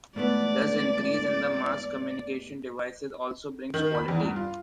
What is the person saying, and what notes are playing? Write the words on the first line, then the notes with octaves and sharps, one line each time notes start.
Does increase in the mass communication devices also brings quality?
G#2 A3 B3 D5
D#3
B5
E2
G2
F4